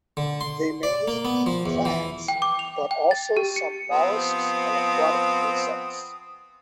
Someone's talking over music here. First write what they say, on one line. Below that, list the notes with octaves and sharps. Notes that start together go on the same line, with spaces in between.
They mainly eat plants, but also some mollusks and aquatic insects.
D3
C6
D5
A#3
B3
F3
E2
E3
G5
D6
F7
G5
A6
G4
C#7
F3 B3 C4 D#6